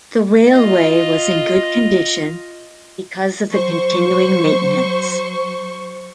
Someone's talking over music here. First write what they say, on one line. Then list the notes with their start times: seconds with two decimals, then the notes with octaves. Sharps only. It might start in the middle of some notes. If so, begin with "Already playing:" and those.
The railway was in good condition because of the continuing maintenance.
0.50 F4 D#5
3.53 F#3 C5 C#6